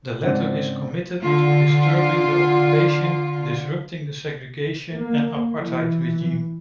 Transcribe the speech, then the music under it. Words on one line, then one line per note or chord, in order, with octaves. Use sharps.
The latter is committed to 'disturbing the occupation, disrupting the segregation and apartheid regime'.
G#2 C#3 C4 D4 F#5
D3 F4
A#3
E3